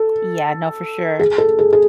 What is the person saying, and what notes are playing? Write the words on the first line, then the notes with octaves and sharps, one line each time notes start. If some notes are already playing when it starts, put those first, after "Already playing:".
Yeah, no, for sure.
Already playing: A4
G#4
A4
G#4
G#4